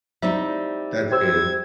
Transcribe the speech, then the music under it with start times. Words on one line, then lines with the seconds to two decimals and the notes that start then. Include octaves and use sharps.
That's good.
0.22 G3 C4 D#4 E5
1.11 G4 C5 E6 G#6